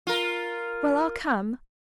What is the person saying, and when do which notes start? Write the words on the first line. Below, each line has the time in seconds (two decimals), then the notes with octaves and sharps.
Well, I'll come.
0.07 F4 A#4